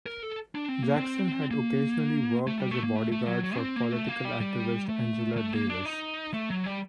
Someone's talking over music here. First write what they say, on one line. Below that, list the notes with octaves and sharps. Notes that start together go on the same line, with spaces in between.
Jackson had occasionally worked as a bodyguard for political activist Angela Davis.
A#4
A4
D4
C4
A#3
C4
A#3
A3
G3
A3
A#3
A3
A3
F#3
F#3
D4
C4
A#3
A3
A#3
G3
G3
A3
A3
A#3
D4
D#4
A3
F#3
G3